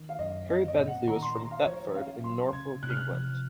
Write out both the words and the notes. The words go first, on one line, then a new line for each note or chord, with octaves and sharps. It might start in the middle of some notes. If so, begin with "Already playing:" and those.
Harry Bensley was from Thetford in Norfolk, England.
Already playing: D#3
F5
F#2 D#5
C4 D#5
D#5
A#2
F#5
D#3 A#5
C6
D#3 A#5
F5
C5
F3 C#5
C#4 F5
F#3 C6
C#3 G#6
C3 F#6
F6
F#6
F3